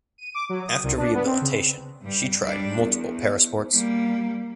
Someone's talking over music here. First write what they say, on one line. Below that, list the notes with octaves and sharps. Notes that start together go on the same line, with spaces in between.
After rehabilitation she tried multiple Para sports.
D#7
D6
F#3
D#6
C2
D4
B3
C4
C#3
G2 G3
G3 D4
E2
G3 A#3